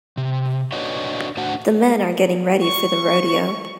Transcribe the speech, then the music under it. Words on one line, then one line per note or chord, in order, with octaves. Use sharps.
The men are getting ready for the rodeo.
C3
D4 F#4 B4 C#5 D#5
A2 D4 F#4 C5 F#5 A5
C#6